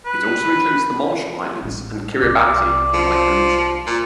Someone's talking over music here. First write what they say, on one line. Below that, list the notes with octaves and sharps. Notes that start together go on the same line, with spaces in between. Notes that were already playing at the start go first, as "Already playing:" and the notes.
It also includes the Marshall Islands and Kiribati from Micronesia.
B4
A1
C2 D5
F3
A#2